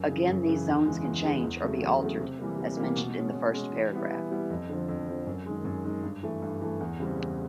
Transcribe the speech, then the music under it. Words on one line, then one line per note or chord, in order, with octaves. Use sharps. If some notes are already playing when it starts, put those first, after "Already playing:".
Again these zones can change or be altered as mentioned in the first paragraph.
Already playing: F#2
C#3 E3
F#2
C#3 E3
E2
C#3 E3 G#3
E2
C#3 E3 G#3
E2
C#3 F#3 A3
E2
C#3 F#3 A3
C3
E3 G3 A#3
C3
E3 G3 A#3
B2
G#3 C#4
B2
G#3 C#4
E3
G3 B3 E4
E3
G3 B3 E4
F2
D3 F3
F2
D3 F3
F#2
D#3 G#3
F#2
D#3 G#3
G2
E3 A3
G2
E3 A3
E2
C#3 E3 G3 C4
E2